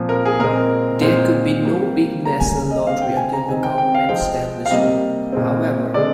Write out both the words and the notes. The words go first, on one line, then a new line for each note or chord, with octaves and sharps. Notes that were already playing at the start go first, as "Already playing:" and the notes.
There could be no big national lottery until the Government established one, however.
Already playing: A#2 F3 C4
A#4
G#4
A#2 G#3 C4 A#4
A#2 G#3 C4 C5
C3 G3 A#3
D3 G3 A#3 A#5
G#5
D#5
D3 G#3 C4 F5
G5
G#5
A#5
D#3 G#3 C4 G#5
G5
G5
F5
C3 F3 G#3 C4 G5
F5
C3 G3 A#3 D#5
A#2 G#3 C4
D3 G#3 C4 D5